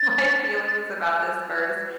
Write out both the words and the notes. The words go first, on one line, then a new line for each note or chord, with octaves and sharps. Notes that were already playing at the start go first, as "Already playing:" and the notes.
my feelings about this first,"
Already playing: A6